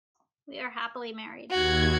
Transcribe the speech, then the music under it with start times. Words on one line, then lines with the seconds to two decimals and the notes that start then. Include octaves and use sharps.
We are happily married.
1.50 D#2 F#4 G#6